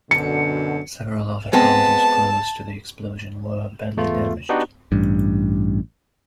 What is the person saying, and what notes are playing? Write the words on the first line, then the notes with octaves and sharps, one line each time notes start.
Several other houses close to the explosion were badly damaged.
F#2 B2 D3 C#7
G#3 B3 C4 A5
E2 A3 F4
B3 D4 D#4 F#4 G4 B4
A1 G2